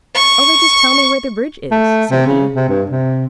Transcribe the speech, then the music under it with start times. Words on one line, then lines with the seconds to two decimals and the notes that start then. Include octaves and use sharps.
"Only just tell me where the bridge is," said he.
0.15 C#6
1.71 A3
2.11 C3
2.27 C#3
2.56 C3
2.69 G2
2.90 C3